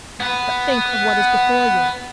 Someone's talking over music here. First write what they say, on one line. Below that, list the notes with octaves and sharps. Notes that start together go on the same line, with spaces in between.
"But think of what is before you."
B3 B4